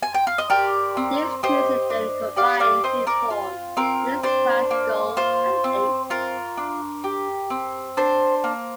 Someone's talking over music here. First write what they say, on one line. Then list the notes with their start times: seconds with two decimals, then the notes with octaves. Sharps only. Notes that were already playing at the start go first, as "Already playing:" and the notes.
These crews then combined to form Mixed Quad Sculls and Eights.
0.03 G#5
0.14 G5
0.27 F5
0.38 D#5
0.50 G4 A#4 D5
0.97 C4
1.43 G4 C5 D#5
1.90 D4
2.36 G4 D5 F5
2.60 D5 F5
2.83 C4 C5 D#5
3.07 A#4 D5
3.30 F4
3.77 C4 A#4
4.23 D4 C5
4.71 A#3
5.17 F4 C5
5.64 C4
6.10 F4 A#4
6.57 D4
7.04 G4
7.50 C4
7.97 D4 C5
8.44 A#3